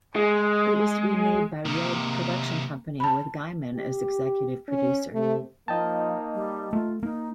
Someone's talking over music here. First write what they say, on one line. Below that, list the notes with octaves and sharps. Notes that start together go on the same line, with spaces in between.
It was to be made by Red Production Company with Gaiman as executive producer.
G#3
C3 D#3 A#3
A5 B5
G4
C#4
C3 A3
F3 A#3 D#4 D#5 G5 A5
G3
A3 F4
A#3 D#4